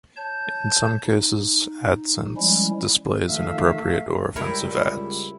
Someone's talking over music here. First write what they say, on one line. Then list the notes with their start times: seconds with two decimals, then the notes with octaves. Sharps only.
In some cases, AdSense displays inappropriate or offensive ads.
0.17 C#5 A5 G6
1.04 D#4
2.37 F3 G3 G#3 C#4 E4
3.28 D#3 F3 A3 E5 F5
4.36 C#2 G3 E4 A#4 C#5 G5